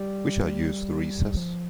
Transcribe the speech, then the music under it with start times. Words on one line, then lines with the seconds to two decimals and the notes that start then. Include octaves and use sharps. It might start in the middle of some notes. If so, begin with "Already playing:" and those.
We shall use the recess.
Already playing: G3
1.37 F3